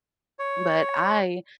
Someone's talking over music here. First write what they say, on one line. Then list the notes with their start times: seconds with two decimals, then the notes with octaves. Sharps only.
But I
0.39 C#5